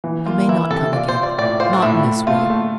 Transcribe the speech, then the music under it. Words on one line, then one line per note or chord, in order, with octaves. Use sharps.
You may not come again,--not in this way.
E3
A#3 F4
E3 E4
C3 A4
F4 D5
C5
F4
D5
A2 D5
F4 C5
D4
A2 E4
A2
A3 F4
A3